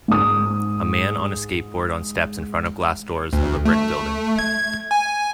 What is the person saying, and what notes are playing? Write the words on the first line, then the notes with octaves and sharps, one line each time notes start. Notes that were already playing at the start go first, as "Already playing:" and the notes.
A man on a skateboard on steps in front glass doors of a brick building.
G#2 D#6
D2
A3
G#6
G#5